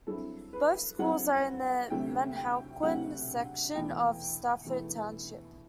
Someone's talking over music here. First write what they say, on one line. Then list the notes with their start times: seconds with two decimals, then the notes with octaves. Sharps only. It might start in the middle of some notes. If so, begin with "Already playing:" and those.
Both schools are in the Manahawkin section of Stafford Township.
0.07 G2 F#3 C4 E4 A4
0.53 B4
0.99 G2 F#3 C4 E4 F#5
1.90 D2 C3 F#3 A3 C4 G5
2.36 G5
2.82 D2 C3 F#3 A3 C4 F#5
3.73 E2 B2 A3 E4 G5
4.65 E2 B2 A3 E4